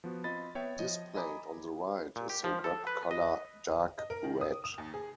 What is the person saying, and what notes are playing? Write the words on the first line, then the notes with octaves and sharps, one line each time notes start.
Displayed on the right is the web color dark red.
F3 B3 F#4
C4 F4 D#5 B5 A6
B3 C#5 E5 G5
F3 D#5
D#5 G#5 A#5 B5 D6 D#6
A#2
G4
F3
A4
B4
D#5
D#5
A#4
D#3
D#6
D#6
D#2
G#4